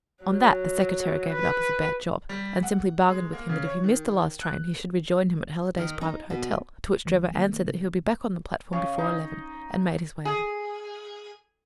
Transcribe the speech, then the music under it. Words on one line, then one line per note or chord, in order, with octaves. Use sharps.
On that the Secretary gave it up as a bad job, and simply bargained with him that if he missed the last train he should rejoin him at Halliday's Private Hotel; to which Drebber answered that he would be back on the platform before eleven, and made his way out of the station.
F#3
B4
G3
F#5
G#3
A#3
C#3
C#5
D#3
F#6
D#3
D#4
B2
C2 D#3 F3
C3 D#3 A3 A#3
C3
C#3
D#4
G#4